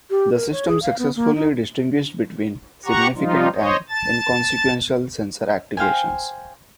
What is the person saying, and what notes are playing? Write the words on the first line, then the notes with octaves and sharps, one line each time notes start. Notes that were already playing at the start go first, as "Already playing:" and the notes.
The system successfully distinguished between significant and inconsequential sensor activations.
G4
A#4
C#5
G#4
F5
B3
A#3
D#4
G4 F#5 A#5 C#6
F3 G3 D#4 F4
C5 C#5 D#5
A5 A6
C5 F5 G5 G#5